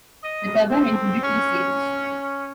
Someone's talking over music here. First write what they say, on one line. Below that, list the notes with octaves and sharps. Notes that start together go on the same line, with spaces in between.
The turbine included two stages.
D#5
C4
C#4